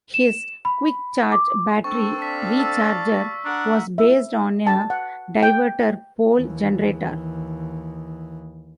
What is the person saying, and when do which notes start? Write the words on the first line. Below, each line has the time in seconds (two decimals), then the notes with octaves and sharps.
His "quickcharge" battery recharger was based on a diverter pole generator.
0.14 E7
0.65 B5
1.32 D6
1.84 C4 D4 A4 C#6
2.22 D5 F5 B6
2.60 A5 E6
3.45 D4 A#4 F#5
3.98 E5
4.67 A5
4.90 F#5
5.43 G5
6.35 D#2 E3